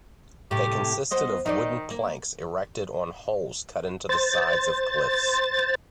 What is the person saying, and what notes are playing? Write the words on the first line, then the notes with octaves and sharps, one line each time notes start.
They consisted of wooden planks erected on holes cut into the sides of cliffs.
A2 C3 G4
B3 C5 D#5
D#3 D#4 C5 D5
A#3
C5 A6